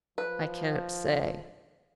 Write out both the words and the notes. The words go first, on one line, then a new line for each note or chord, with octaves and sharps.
"I can't say."
F3 B4